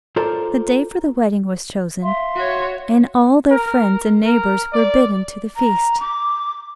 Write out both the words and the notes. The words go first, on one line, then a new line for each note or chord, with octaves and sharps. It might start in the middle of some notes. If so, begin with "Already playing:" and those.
The day for the wedding was chosen, and all their friends and neighbours were bidden to the feast.
F4 A4 A#4 C5 D5
E5 F5 C6
F#4 C#5
A#4
A#4
D5
A#5
D6